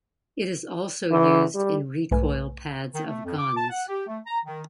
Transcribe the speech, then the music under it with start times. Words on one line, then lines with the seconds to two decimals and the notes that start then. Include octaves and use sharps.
It is also used in recoil pads of guns.
1.11 E3
1.55 G3
2.11 B1 G#2 A3 B4 G#5
2.93 D#3
3.06 A3
3.25 F2
3.38 D6
3.56 A5
3.70 F#5
3.87 G4
4.07 A3
4.26 A#5
4.46 D#3